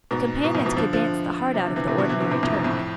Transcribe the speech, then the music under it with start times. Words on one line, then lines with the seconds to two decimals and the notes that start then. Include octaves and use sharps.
The Companions could dance the heart out of the ordinary Turk.
0.11 G#2 B2
0.44 G#2 B2
0.55 F2 A2
0.66 G#2 B2
0.77 D3 F3
0.93 D3 F3
1.54 C3
1.66 D3
1.76 C3 E3
1.87 A2 C3
1.98 B2 D3
2.09 C3 E3
2.20 B2 D3
2.31 A2 C3
2.43 F2 A2
2.54 G#2
2.64 F2 A2